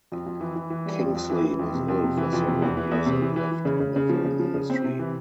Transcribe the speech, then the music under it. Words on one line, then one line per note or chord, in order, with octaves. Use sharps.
Kingsley was ill for several years and left the film industry.
F2
F2
E3
E3
E3
G3
F2
F2
E3
E3
F2
C3
F2
C3
E3
F2
C3
E2
E3
E2
C3
E3
E3
E3
C#3
C#3
C#3
F3
C#3
F3
C#3
C4
C3
E3